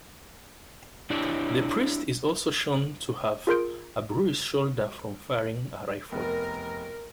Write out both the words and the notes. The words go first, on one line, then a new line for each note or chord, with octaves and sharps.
The priest is also shown to have a bruised shoulder from firing a rifle.
D4 E4 G4 D5
F4 G#4 A#4 C6 G6 D7
F1 B3 A#4